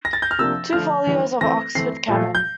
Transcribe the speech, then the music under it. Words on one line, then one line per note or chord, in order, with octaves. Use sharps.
Two folios of Oxford Canon.
A#6
A6
G6
F6
C3 F3 A#3 D4 E6
D3 F3 A3 F6
E3 G3 D4
E3 A3 C4 A#6
E3 A3 C4 C7
A#2 F3 A3
G6